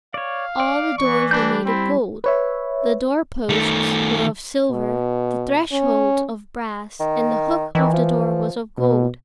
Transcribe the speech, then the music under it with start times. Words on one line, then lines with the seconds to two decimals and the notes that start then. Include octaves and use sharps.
All the doors were made of gold, the doorposts were of silver, the thresholds of brass, and the hook of the door was of gold.
0.14 C#5 D5 F5
0.60 D5
0.98 E3 C#6
1.31 G3 D4 B5 G6
1.65 C4 E4
2.24 B4 C#5 E5
3.49 D#3 A3
4.71 B2
5.72 C#4
7.00 D#3
7.75 D#3 E3
7.93 F3
8.78 B2